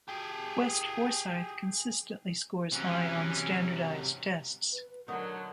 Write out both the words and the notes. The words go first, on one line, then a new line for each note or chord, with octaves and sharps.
West Forsyth consistently scores high on standardized tests.
G4 G#4
C3 E3 F#3 C#4
B4
D3 F#3 D#4 F#4 A#4